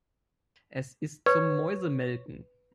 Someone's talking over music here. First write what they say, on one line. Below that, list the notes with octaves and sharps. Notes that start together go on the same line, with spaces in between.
Es ist zum Mäusemelken.
B4 C#5